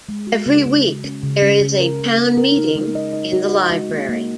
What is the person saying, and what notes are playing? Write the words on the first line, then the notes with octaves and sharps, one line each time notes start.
Every week there is a "Town Meeting" in the library.
G#3
F#4
C#3
C#3
C#3
C#4
C#3
C#4
C#3
A#4
C#3
A#4
A#4
D#4
G#3
D#5
D#5
F#4
D#5
G#3
A#3
A#3